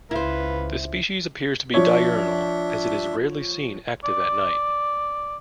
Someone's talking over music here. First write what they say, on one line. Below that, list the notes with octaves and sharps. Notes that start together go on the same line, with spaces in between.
The species appears to be diurnal, as it is rarely seen active at night.
C#2 E4 B4 C5 F5
F3 D4 C#5 E5
D5